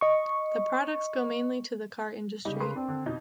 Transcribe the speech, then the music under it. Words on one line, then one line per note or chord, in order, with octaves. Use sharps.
The products go mainly to the car industry.
D#5 C#6
C#3 G3 D#4 G4
A#4 B4 C6
C4 D4
D3
F2 B2 D#4 G6